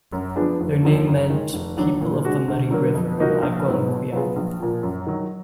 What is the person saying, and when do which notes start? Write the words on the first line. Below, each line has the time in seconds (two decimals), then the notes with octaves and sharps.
Their name meant "people of the muddy river" in Algonquian.
0.12 F#2
0.36 F3 B3 D4 G#4
0.60 F1
0.83 D#2 D3 F3
1.06 F#2
1.29 D#3 G#3
1.53 F1
1.77 D#2 D3 F#3 D4
2.01 A#2
2.24 G#3 D4 F#4
2.48 D2
2.70 D3 F#3 A#3
2.94 F2
3.18 F3 A#3 D#4 F#4
3.42 A#1
3.66 G#2 F#3 B3
3.88 B2
4.12 F#3 B3 F4 G#4
4.36 A#1
4.60 A#2 F3
4.83 F#2
5.07 D#3 F#3